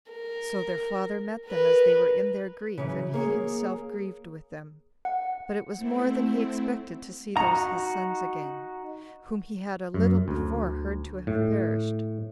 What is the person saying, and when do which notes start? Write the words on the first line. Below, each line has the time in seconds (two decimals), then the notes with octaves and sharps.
So their father met them as they were in their grief, and he himself grieved with them; but it was more than he expected to see those his sons again, whom he had a little before heard to have perished.
0.11 A#4
1.47 A#4 B4
2.78 C#3 E3 F#3
3.14 A#3 G#4 C#5
5.05 F#5
5.75 A3 C4 E4
7.37 D#4 F#4 A#5
9.94 F#2
10.28 D2
11.27 A2